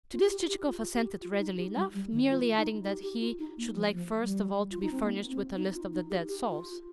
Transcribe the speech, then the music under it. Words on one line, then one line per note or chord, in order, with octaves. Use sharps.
To this Chichikov assented readily enough--merely adding that he should like first of all to be furnished with a list of the dead souls.
F4
G4
G4
F4
G4
F4
D#4
G4
G3
G3
D#3
F4
D#4
G4
G4
F4
D#4
A#3
F3
F3
G3
F4
D#4
C4
A#3
C4
D#4
F4
D#4
G4
G4
F4